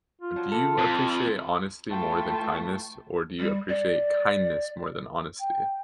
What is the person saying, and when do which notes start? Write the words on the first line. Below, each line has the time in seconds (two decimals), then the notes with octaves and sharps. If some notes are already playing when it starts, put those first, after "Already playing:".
do you appreciate honesty more than kindness, or do you appreciate kindness more than honesty?
0.21 F4
0.36 F3 F#3
0.52 E3 A4
0.78 F2
1.89 E3 A3 F4 G5 A5 C#6
3.39 G3
3.69 D5
5.41 G5